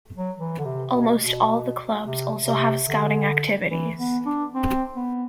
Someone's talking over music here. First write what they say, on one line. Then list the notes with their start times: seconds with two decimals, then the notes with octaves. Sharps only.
Almost all the clubs also have scouting activities.
0.17 F#3
0.38 E3
0.59 D3
0.65 C3
0.93 B2
1.21 B2
2.03 C3
2.46 C3
2.87 D3
3.70 E3
3.98 B3
4.25 D4
4.54 C4
4.96 B3